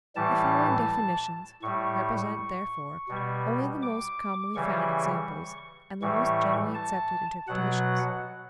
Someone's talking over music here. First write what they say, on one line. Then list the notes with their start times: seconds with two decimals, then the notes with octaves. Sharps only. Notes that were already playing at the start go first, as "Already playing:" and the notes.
The following definitions represent therefore only the most commonly found examples and the most generally accepted interpretations.
0.15 A2 E3 G3 A5
1.62 A2 G3 C#6
3.09 B2 G3
3.82 D6
4.55 C#3 E3 G3 C#6
6.02 A2 E3 G3 C#6
6.75 A5
7.48 B2 F#3 F#5